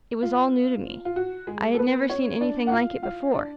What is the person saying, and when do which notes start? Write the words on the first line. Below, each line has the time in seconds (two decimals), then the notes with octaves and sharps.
It was all new to me. I had never seen any thing like it before.
0.23 F4
1.05 F4
1.16 F#4
1.47 G#3 G#4
1.74 A4
1.79 B3 B4
2.10 C#4 C#5
2.41 D4 D5
2.67 F#5
2.72 F4 F5
3.03 F4 F5
3.34 D4 D5